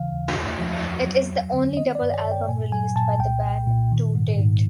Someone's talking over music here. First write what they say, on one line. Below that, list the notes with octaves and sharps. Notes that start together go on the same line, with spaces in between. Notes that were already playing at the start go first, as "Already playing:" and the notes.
It is the only double album released by the band to date.
Already playing: D#2 C#3 E3 F5
D#2
F2
F3
F2
F#3
D#2
D3
D#3 D#5
D5
G2
C#5
G2
G5
A#2 G#5
F#3 G#5
A#2 A5
C2 G5
C2
A#2
D#3
G#2
G#2